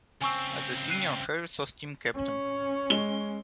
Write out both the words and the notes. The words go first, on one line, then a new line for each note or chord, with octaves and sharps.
As a senior, Harris was team captain.
C#2 C4 G#5 C#6 E6
F#6 C7 D#7
C#4
G#3 G7